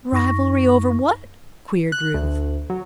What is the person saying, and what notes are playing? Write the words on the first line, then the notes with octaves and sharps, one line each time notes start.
"Rivalry over what?" queried Ruth.
F#2 D#4 C#6 A#6
F#6
D2
F#3